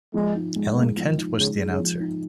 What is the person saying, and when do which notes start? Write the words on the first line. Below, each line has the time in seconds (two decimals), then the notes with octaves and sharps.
Alan Kent was the announcer.
0.14 F3 G#3
0.35 D#4
0.56 G#3
0.76 A#3 G#4
0.97 F3
1.07 D#3
1.17 D#4
1.38 C#3 G#3
1.59 G#4
1.69 C#3
1.80 F3
2.00 D#4